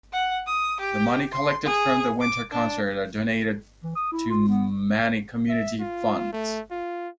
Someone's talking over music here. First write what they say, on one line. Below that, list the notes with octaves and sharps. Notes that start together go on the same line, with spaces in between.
The money collected from the Winter Concert are donated to many community funds.
F#5
D#6
G4
C6
G#4
D6
D4
E3
D#6
E4
F4
B3
E5
F4
A3
F4